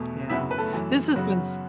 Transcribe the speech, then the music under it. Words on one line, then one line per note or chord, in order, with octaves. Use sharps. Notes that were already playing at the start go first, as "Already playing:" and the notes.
Yeah, this has been s
Already playing: E2 B2 A3
F#2 C#3 F#3 B3 E4 E5
B4
A3 A4
F#2 E3 A3
F#2 C#3 F#3 B3 F#4